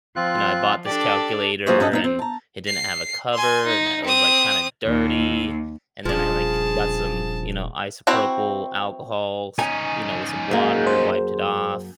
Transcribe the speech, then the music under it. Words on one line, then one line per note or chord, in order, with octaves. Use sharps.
you know I bought this calculator, and it didn't have a cover, and it was, like, kinda dirty, and then I, like, got some, you know, isopropyl alcohols, you know, with some water, wiped it off,
F3 C4 F4 F#6
D4 G4 A4 D5
F#3 A#3 F4 G#4 C5 C#5
G2 F#3 C#4 A4 D#5 A5
A#3 C4 D#4
C4
A5 A#5
C7
G#5 C6
D#4
C4 D#6
D#2
D#1 F3 D4 G#4 A5
C4 E4 F#4 A#5
C#4 D#4 G#5
F#2 A#3 G#4
C5